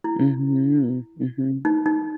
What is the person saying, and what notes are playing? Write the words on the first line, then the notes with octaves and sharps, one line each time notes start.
Mhm, mhm.
E4
D#4
D#4